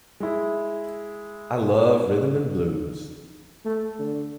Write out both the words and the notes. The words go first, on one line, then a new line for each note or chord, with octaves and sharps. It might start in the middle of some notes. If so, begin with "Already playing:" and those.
I love rhythm and blues!
G#3 E4
A3
D3